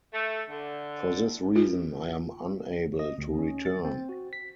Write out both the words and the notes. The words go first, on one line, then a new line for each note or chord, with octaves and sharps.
For this reason I am unable to return.
A3
D3
F4
D#5
D2
C#4
A6
C4
F#4
B6